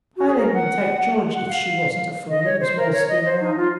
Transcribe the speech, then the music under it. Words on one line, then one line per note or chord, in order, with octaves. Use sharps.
Aileen would take George if she wasn't a fool, as most women are.
F#4
G#4
A#4
F#5
F#5
F5
D#5
C#5
C5
A#4
C#5
D#5
C5
D#4
F4